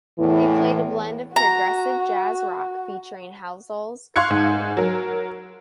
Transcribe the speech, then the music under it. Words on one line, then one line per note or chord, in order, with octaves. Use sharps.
They played a blend of progressive Jazz rock featuring Halsall's guitar work.
E2 A2 E3
F#4 A#5
F5 C6 C#6 F#6 G#6 C#7
G#2
F#3 A#4